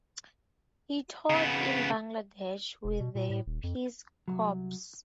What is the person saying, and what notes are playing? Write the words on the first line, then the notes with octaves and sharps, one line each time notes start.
He taught in Bangladesh with the Peace Corps.
C#3 B3
E1
B2
A#2
A2
D#1
F2
C2 F#3